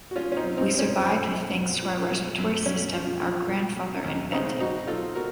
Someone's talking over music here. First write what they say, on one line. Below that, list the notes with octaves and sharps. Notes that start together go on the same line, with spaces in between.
We survived thanks to a respiratory system our grandfather invented.
F#4
F3 C#4 F4
C#4
C4 D#4
F#2
C4 D#4
F3 C4
C#4
F#2
F#2
F#2
F3
F#2
F#2
F#2 C#4
F3
F3
F#3
F#3
D#2
C#3 C4 D#4
F#3 D#4 F#4
F#3 F4 A4
F#4 A#4